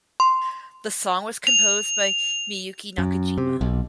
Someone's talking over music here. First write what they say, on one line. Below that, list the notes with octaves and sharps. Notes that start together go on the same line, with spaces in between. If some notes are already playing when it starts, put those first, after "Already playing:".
The song was composed by Miyuki Nakajima.
C6
F7
F#2
C3
B1